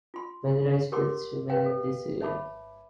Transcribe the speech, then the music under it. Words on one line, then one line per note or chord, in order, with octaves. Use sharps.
Many rice fields remain in this area.
F4 C6
G4 A#4 C#5 F#5 C6 D6
B4 C#5 F5 G5
A4
C#5 E5 A5 B5 D6